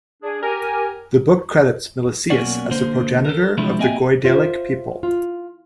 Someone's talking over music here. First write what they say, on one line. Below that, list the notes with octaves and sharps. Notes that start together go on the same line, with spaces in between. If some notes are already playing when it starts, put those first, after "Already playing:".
The book credits Milesius as the progenitor of the Goidelic people.
D4 G#4
G4 A#4 G#5
B1 B2 A#3 C#4 F#4 D5
D3 A#3 C5
A4 A#4
C3 F3 G3 G#3 D4 E4
A#3 C4 D#5 E5 G5 G#5
F4 C5 E5
F4